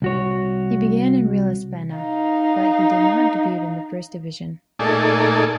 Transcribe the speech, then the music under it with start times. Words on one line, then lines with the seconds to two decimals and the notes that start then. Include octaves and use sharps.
He began in Real Espana, but he did not debut in the first division.
0.02 C2 F#4 C#5
1.96 D#4 F5
4.79 A#2 A3 D#4 G#4 A4 D5